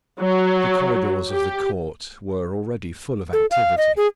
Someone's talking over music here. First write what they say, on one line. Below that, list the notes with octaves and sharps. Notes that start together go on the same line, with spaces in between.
The corridors of the Court were already full of activity.
F#3
G4
A4
F5
D#5
G#4